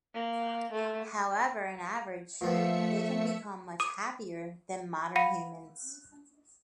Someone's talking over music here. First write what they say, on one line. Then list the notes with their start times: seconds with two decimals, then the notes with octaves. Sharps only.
However, in average, they can become much happier than modern humans.
0.14 A#3
0.72 A3
2.41 A#2 F3 A3 B3 E5 C#7
3.80 D6 D#6 D#7
5.16 F5 F#5 B5 A#6 C#7 D#7